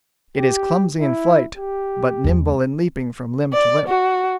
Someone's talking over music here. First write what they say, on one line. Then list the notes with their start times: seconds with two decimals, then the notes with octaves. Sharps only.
It is clumsy in flight, but nimble in leaping from limb to limb.
0.37 G4
1.00 E4
1.57 G4
2.24 E2 G#3
3.53 D5
3.88 F#4